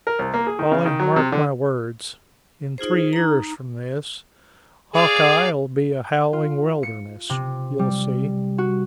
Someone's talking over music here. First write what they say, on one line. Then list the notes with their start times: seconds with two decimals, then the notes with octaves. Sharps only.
Polly, mark my words--in three years from this, Hawkeye'll be a howling wilderness. You'll see.
0.07 A#4
0.19 C2
0.34 A#3
0.47 G#4
0.59 D#3
0.72 C#3
0.86 D#3
1.00 F#3
1.16 C3
1.32 D3
2.78 D#4 F4 G#4 C5
3.13 D#4 A#5
4.94 G#4 D5 F5
6.33 F4
6.83 C#7
7.30 C3
7.79 G3
8.58 F#4